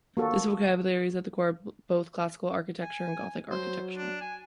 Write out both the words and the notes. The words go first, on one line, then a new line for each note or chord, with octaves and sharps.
This vocabulary is at the core of both classical architecture and Gothic architecture.
A#3 F#4 A4
G#5
F#3 C5
D4
G#5